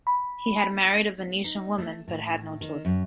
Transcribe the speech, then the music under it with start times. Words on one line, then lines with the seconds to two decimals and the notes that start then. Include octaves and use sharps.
He had married a Venetian woman but had no children.
0.07 B5
1.44 D#4
1.78 A3
2.08 A2
2.61 D#3
2.85 F#2